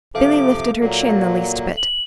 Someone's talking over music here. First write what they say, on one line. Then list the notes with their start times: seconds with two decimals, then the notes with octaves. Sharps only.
Billy lifted her chin the least bit.
0.15 C3 F3 A4 E5 F5 D6
0.81 A#2 F#3 A#3
1.77 F#7